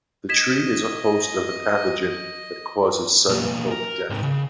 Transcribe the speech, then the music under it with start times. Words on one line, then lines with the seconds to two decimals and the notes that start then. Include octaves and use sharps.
The tree is a host of the pathogen that causes sudden oak death.
0.29 D#5 G#6 B6 E7
3.29 B1 A#3
3.71 A#4
4.10 G#2 C3
4.23 C#3